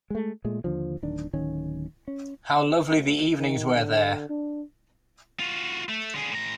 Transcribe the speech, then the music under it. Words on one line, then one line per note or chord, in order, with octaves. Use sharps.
How lovely the evenings were there!
G#3 A3
A#2 G#3 A3
D#2 D3 F3
D1 D#3 D4
D1 D#3 C#4
C#4
D2
D#3
D3
D4
F4 F#4
A3
D3 G#4
A2 A#5